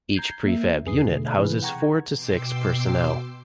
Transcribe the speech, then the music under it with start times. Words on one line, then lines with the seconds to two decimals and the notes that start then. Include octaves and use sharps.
Each prefab unit houses four to six personnel.
0.16 A#5 G6 G#6 C7
0.44 A#3 E5
0.86 E2 G#4 B4 D#6 C7
1.07 B2 D3 A3
1.37 C3 E3 G#4 B4
1.62 F#5 G5 A#5 C#6 G#6
2.14 B2 G5 C6 D6 E6 C7